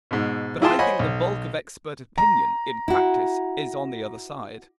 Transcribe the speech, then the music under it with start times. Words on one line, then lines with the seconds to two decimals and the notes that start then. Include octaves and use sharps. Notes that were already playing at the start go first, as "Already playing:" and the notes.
But I think the bulk of expert opinion, in practice, is on the other side.
0.11 G#2 B2
0.62 E4 F4 G#4 G5 A5 C6
0.79 C5 C#5 D#5 F#5 G#5 B5
0.99 B1
2.18 A#5
2.88 E4 F#4